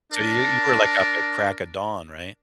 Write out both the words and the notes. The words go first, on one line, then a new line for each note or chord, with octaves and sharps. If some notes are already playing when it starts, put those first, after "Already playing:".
So, you you were like up at the crack of dawn, right?
D4 A#4 A5